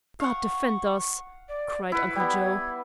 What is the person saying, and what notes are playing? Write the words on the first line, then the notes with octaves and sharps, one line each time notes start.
"God defend us!" cried Uncle Joe.
F5 F#5 C#6
D5
E4 B4 F#5
G3 B3 G#6